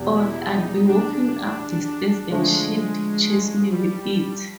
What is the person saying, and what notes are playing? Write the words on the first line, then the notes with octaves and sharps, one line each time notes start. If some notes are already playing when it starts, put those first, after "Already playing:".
Or I'd be walking up the stairs and she'd chase me with it.
Already playing: E2 B2 G3 B3
E4
D#4
D4
D3 F3 G#3 A3 D4
G3